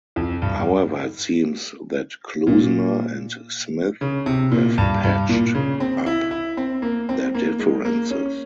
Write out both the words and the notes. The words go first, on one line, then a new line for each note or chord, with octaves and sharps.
However it seems that Klusener and Smith have patched up their differences.
F2
G2
A#2
C#3
C3
A#2
G2
G2
A#2
C#3
C4
E4
E4
C4
A#3
C4
A#3
G#3
A#3
C#4